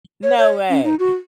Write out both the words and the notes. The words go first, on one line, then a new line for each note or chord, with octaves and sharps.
No way,
C#5
C#5
C#4
D#4
F#4